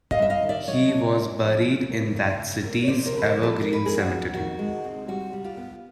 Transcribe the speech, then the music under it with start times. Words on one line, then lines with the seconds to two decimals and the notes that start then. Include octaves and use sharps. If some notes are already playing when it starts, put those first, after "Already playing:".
He was buried in that city's Evergreen Cemetery.
0.11 D#5 F5
0.19 G2 E5
0.30 D#5 F5
0.43 D#3
0.49 D5 E5
0.67 F#3 C#5 D#5
0.92 D4
1.17 A#3
1.41 F3
1.65 C#3
1.89 A#3
2.14 C#3
2.39 C#3
2.63 A#3
2.83 C#5
2.87 F2 C5 D5
3.06 A#4 C5
3.12 D3
3.17 B4
3.24 A#4 C5
3.36 F2
3.43 A4 B4
3.61 F2 A#4
3.73 B4
3.85 F2 G#4 A#4
3.98 F#4 G#4
4.10 F2
4.34 D#3 F#4
4.59 G#3
4.84 C4
5.08 G3 F#4
5.33 G3
5.44 F4 G4
5.57 B3